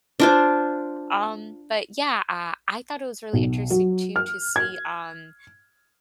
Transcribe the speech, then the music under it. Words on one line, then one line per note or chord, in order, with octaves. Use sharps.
um, but yeah, uh, I thought it was really interesting, too, to see, um,
D4 F4 C5
B1
F#3
F6
G#6